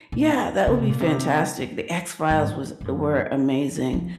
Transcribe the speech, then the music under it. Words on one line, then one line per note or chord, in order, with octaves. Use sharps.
Yeah, that would be fantastic. The X-Files was were amazing,
A#2
C#3
C3
A#2
C3
G#2
G#2
F#2
F3